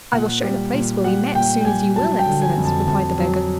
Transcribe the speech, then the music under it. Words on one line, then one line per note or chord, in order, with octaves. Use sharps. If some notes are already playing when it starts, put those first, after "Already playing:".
"I will show the place where we met soon as you will, excellence," replied the beggar.
A#2 F#5
G3
A#2
G3 F#5
A#2 G5
G5
G3 G#5
F#3 A5
G5
D3
G#5
F2
A5
F2 A5
F#3